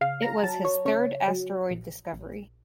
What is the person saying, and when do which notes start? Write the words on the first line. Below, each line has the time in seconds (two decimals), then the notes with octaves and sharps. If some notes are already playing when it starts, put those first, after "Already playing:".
It was his third asteroid discovery.
0.01 C#3 F5
0.22 A#5
0.43 F#3 A5
0.65 C#5
0.85 C#3 C#5
1.28 F#3
1.70 A#1
2.13 A#1